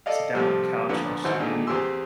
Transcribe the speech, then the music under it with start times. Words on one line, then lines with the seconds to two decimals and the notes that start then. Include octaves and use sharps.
sit down on your couch and watch TV, or
0.06 A4 D5 D#5 F5
0.34 C3 F3 G3 A3 C4
0.89 A#2 D3 F3 B3
1.24 G#1 E3 F#4 C5 C6
1.39 A#2 D3 D#3 G#3 A3
1.67 E2 C4 G4 G#4 C6 E6